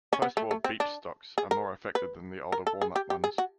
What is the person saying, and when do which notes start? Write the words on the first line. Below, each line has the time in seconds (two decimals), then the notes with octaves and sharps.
Postwar beech stocks are more affected than the older walnut ones.
0.13 C#4
0.22 B3
0.37 A3
0.51 A3
0.64 C4
0.80 D4
1.38 G#4
1.51 A#4
1.95 B4
2.52 A#4
2.67 A4
2.82 G#4
2.96 G4
3.10 G4
3.24 G#4
3.38 F#4